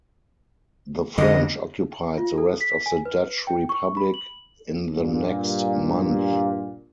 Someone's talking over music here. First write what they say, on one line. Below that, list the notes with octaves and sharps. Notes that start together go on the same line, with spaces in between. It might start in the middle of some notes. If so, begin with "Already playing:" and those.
The French occupied the rest of the Dutch Republic in the next month.
F2 D3 D#5
F4
A4
B6
G#5
B4
G5
C#6
B5
F#7
G2 A#2